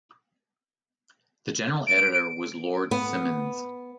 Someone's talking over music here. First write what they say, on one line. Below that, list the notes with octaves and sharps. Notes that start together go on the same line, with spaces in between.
The general editor was Lord Simonds.
D7
B3